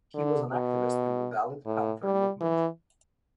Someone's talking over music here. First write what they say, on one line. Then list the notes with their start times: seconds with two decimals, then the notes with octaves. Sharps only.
He was an activist in the Dalit Panther movement.
0.15 D3
0.52 B2
1.66 A2
2.03 G3
2.41 E3